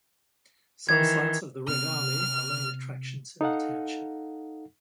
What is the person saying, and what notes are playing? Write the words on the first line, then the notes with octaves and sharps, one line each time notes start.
Some sites of the Red Army are main attractions in the township.
D#3 E3 G#6
C3 B3 C4 F6
D#4 A4 F5 F#5